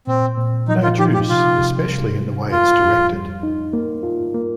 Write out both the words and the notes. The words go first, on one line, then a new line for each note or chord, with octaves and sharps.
No juice, especially in the way it's directed.
A#2 C4
A#2
F3 D#4
F4
D#4 G4
G4
C3 F4
C3
G3
G3
F2 F4
F2
G3
D#4
A#3
F4
A#3